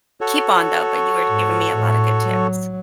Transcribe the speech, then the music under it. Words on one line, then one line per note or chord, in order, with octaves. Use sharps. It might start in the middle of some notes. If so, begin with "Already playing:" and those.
keep on, though, but you were giving me a lotta good tips.
F#4 A4 C#5
G#2
A2
F#3